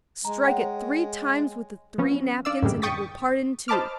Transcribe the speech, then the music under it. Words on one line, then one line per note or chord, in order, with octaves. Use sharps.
Strike it three times with the three napkins and it will part in two.
G#3 A#5
C#5 F#5 G5
F3 B3 C#4
D4 D5 F5 E6
F#2 A2 D3 E3 G3 G#3
G5 C#6 D#6 A6 B6
C5 D#5 A5 B5 D6 F6